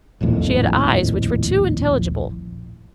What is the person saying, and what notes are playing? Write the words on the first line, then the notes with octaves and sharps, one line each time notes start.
She had eyes which were too intelligible.
D#1 A#1 F2 A2